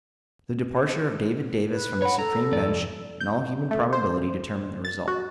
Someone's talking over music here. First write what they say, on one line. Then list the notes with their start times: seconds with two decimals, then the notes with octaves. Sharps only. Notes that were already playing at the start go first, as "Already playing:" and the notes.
The departure of David Davis from the supreme bench in all human probability determined the result.
1.70 B4
2.02 C#5 F#5 B5
2.19 A4 A#5
2.52 F2 D5
3.20 G6
3.71 A3
3.93 C5
4.85 A6
5.08 F#4